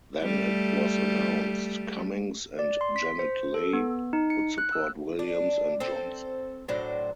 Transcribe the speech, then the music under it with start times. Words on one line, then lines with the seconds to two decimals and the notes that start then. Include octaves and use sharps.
Then it was announced Cummings and Janet Leigh would support Williams and Johnson.
0.19 G3 A3
2.59 D5
2.81 C6
2.96 B6
3.19 C5
3.54 A4
3.73 B3
4.13 D#4
4.30 C#7
4.58 F#6
4.72 E6
5.19 D4
5.80 C4 A4 C5
6.68 A2 F#3 D4 C5